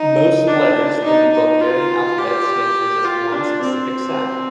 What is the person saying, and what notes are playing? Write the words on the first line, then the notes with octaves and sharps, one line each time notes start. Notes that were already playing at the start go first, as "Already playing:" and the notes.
Most letters in the Bulgarian alphabet stand for just one specific sound.
Already playing: D#4
D4
D#4
D#4
F4
G4
F4
D4
C4